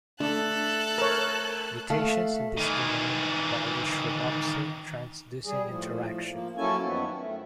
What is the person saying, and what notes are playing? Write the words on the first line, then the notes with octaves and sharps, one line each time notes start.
Mutations in this domain abolish rhodopsin-transducin interaction.
A3 D4 A4 F#6
A#4 C#5
A3 F5
D#3 E3
G3 G#4
A2 F3
F3 A#3
F#3 A#3 C#4 E4 A4 G#5
F#2 D#3 F3 B3
A3